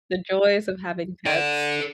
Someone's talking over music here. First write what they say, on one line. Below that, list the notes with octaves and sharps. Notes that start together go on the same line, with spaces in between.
the joys of having pets.
A4 D5